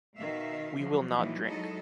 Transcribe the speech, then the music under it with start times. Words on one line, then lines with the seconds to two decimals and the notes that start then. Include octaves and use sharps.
We will not drink.
0.16 B2 D#3 E5 F5
0.77 F3 F#3
1.15 A#2 E3 F#3 G3 D#4
1.45 F#3 G#3 D#4 E4 A4 D#5